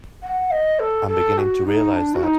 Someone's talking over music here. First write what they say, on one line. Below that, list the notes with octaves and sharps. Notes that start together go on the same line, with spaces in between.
I'm beginning to realize that.
F#5
D#5
A4
A4
F#4
D#4
D4
F#4
D#4